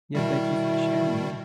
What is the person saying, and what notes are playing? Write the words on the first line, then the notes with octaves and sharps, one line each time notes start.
Yeah, thank you for sharing, yeah.
B2 D#3 G3 E4